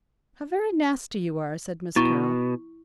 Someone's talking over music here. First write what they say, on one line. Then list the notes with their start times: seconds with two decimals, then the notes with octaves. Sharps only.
"How very nasty you are!" said Miss Carroll.
1.96 B2 E4 C#6